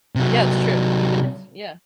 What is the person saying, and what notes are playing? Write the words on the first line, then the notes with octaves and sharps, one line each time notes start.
Yeah, it's true, even if yeah.
C3 F#3